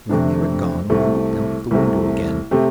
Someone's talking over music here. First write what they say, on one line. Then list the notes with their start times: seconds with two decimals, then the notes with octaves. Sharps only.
When they were gone we looked out of the window again.
0.09 F2 C3 A3 D4
0.90 C2 C3 A3
1.71 C2 C3 A3
2.51 C3 A3 C4 G4